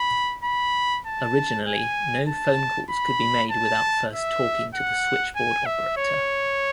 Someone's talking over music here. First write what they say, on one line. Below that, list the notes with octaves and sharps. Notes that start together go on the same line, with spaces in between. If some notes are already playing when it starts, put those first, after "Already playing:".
Originally, no phone calls could be made without first talking to the Switchboard operator.
Already playing: B5
B5
A5
G#5
A5
B5
A5
E5
F#5
G#5
E5
C#5